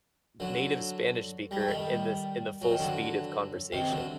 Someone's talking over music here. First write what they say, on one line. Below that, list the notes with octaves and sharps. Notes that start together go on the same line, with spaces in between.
native Spanish speaker in these in the full speed of conversation.
D3 F#3
G3
A3
D#3 G3
F#3
D#3
D3 F#3
C3 D#3
D3 F#3